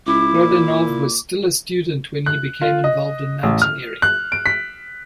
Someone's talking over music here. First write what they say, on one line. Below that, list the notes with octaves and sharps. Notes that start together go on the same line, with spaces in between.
Prodanov was still a student when he became involved in mountaineering.
C#2 E4 D6
A#2
F#6
F4
D#5
A1
F6
F#6
D7
B6